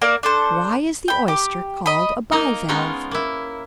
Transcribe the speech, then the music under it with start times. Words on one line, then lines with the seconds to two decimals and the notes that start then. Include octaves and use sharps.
Why is the Oyster called a bi-valve?
0.02 A#3 A#4 D5
0.23 D4 A4 C5
1.08 G5 B5
1.28 G4
1.86 D#5 B5
2.32 A#3 D#4 A#4 D#5 A#5
2.69 G#3 B3 C#4 D#4 F4 A#4
3.11 A#3 E4